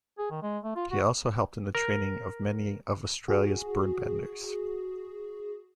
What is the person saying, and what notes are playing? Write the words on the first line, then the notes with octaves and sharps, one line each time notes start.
He also helped in the training of many of Australia's bird-banders.
G#4
D#3
G#3
A3
F4
F#4
A#4
F#4 G#4